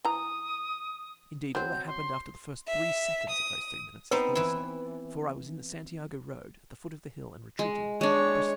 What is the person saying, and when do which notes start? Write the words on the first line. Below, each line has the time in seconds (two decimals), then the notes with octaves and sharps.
Indeed, all that happened after the first three seconds of those three minutes is hearsay, for I was in the Santiago road at the foot of the hill and retreating briskly.
0.05 E3 A#5 D#6
1.55 F#3 C4 G6
1.87 C6
2.67 E5
3.30 D#6
4.11 B3 C4 D#4 B4
4.35 E3 E4
7.59 G#3
8.01 G#3 D4 C#5